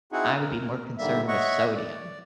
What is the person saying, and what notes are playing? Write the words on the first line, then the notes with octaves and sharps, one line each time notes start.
I would be more concerned with sodium.
C4 D#4 E4 F#4 G#4 F#5
A#4
G#2 D3 G3 A#3 E5
C#5 D#5 E5 F#5 C#6
D5